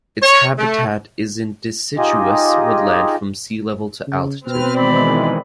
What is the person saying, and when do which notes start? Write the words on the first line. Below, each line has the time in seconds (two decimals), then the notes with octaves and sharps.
Its habitat is in deciduous woodland from sea level to altitude.
0.23 C#5
0.59 A3
1.98 D#4 F4 G4 G#4 D#5
4.07 C#3
4.47 B2 C4 B4 F6
4.75 D#3 E3 G#3 D5 B5